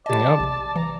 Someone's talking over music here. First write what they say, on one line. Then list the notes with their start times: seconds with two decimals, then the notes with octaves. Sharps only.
And, yep.
0.06 G4 D5 D#5 A5
0.40 A#1 C3
0.76 E3 A#5